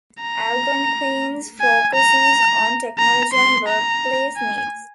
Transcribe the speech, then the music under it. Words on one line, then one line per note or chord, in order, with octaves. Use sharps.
Algonquin's focus is on technology and workplace needs.
A#5
G#5
A#5
A#5
C6
A#5
G#5